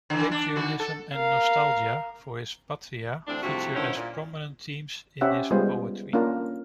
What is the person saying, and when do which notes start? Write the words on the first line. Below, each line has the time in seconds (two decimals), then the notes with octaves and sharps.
Patriotism and nostalgia for his 'patria' feature as prominent themes in his poetry.
0.10 D3 E3
0.31 D4
0.56 D#3 F#4
0.80 A4
1.14 A#4 F5
3.27 D2 E3 C4 D4
3.43 G2 C3 F3 A3 E4 F#4
3.75 G2 D3 D#3 C#4 E4 C5
3.95 A#2
5.21 C#4 G4 C5 E5 F#5
5.51 G3 G#3 B3 F4 G#4 C5
6.13 A#3 C#4 D4 F4 A#4